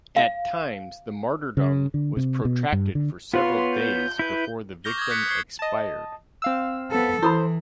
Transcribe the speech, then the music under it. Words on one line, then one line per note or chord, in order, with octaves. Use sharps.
At times the martyrdom was protracted for several days before the victim expired.
F5
C#3
D3
C3
B2
G2
D3
B3 F4 B4 C#5 C6
G6
E4 B4
C#6 D6 F6 G6 A#6 G7
D#6 G#6
F#6 G6 B6 C#7
C#6 D#6 G#6 C7 G7
D#5 A5
C4 F5 E6
B3 A4
E3 E4 A4 C5 B5